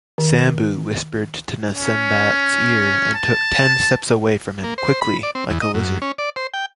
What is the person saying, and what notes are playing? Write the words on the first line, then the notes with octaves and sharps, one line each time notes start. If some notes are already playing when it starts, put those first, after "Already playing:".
Sambuu whispered to Nasanbat’s ear and took ten steps away from him quickly like a lizard.
D#3
C#4
A5
A#3
C5
B5
D5
C4
E2
D#5
F#2
C#4
D5
C5
G5